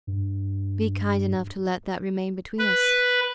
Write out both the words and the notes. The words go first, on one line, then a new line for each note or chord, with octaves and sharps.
Be kind enough to let that remain between us.
G2
B4